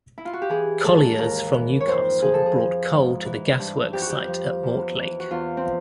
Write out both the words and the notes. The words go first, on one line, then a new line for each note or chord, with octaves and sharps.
Colliers from Newcastle brought coal to the gasworks site at Mortlake.
E4
F4
F#4
G4
E3 G#4
G#2 A4
D#2 A#4
E3
C#5
F2 C5
F3 G#4
A4
G#4
F3
G#2
E3
G2
F2 G4
F#4
G4
F3
E2
E3
F#4
E2 F4
C4
F3